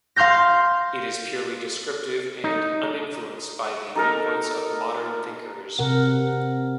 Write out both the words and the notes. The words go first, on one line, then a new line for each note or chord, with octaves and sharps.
It is purely descriptive and uninfluenced by the viewpoints of modern thinkers.
F5 C6 F6 G6 A#6
D#4
D#4 A4 A#4
C3 A#4 F#5